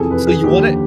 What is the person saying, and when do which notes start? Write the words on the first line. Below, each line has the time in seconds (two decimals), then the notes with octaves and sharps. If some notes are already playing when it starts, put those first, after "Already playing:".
So, you want it
Already playing: F2 C3 E3 G#4 A4
0.10 B4
0.27 G#4
0.44 D#2 D3 F3 G4